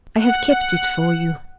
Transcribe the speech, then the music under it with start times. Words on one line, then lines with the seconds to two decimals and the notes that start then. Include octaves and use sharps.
I have kept it for you.
0.20 F#5